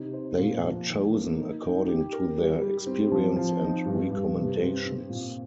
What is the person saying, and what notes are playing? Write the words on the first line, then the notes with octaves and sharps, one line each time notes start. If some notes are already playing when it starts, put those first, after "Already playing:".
They are chosen according to their experience and recommendations.
Already playing: C3 D#4
C5
A#2
F3
D#3
A#3
D#4
D#4
G4
A#4
G3
G3
C4
F3
F3
D#4
G2
G2
C3
C4
C4
A#2